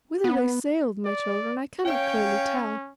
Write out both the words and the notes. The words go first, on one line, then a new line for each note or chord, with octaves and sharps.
Whither they sailed, my children, I cannot clearly tell.
B3
D5
C#4 C#5 F5 G5